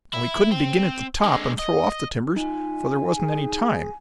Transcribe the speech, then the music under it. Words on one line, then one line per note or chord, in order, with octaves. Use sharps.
And we couldn't begin at the top and throw off the timbers, for there wasn't any time.
E4
C4
D3 G#3
D#5
D#4 F4 G#5
G#4